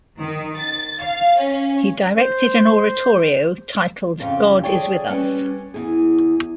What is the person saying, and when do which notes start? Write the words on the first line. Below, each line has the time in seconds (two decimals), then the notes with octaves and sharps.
He directed an oratorio titled "God is with us".
0.21 D#3
0.57 A6
1.02 F5
1.41 C#4
2.17 C5
4.20 F2 C#3 F4 F5
4.63 G#4 A4 C#5 D5 G5
5.10 G3 C#4 B4
5.74 E2 G#4